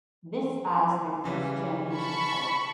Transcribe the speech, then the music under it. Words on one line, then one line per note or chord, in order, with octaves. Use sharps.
This as their first championship title.
C#3 E3 G3
A5 B5 C#6